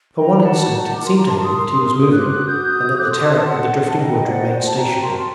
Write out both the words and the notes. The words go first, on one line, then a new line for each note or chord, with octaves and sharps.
For one instant it seemed to him that he was moving and that the Terek with the drifting wood remained stationary.
D#4 G5 A#5
F#4 F#5 A5
D#4
A#4 D6
C6
A#4 A#5
A5 C6
D6
A#4 C6 D#6
A#4
D6
F#4 C6 D#6
D6 F#6
F#4
D6 F#6
F#4 D#6 G6
F#4
A4 D6 F#6
C6 D#6
F#4 A5 C6
A5 C6
A4 F#5 A5
A4
D#4 D#5 G5
C5 D5 F#5
D#5
F#4 F#5
G5
A5
F#4 G5 A#5
A#4 A5 C6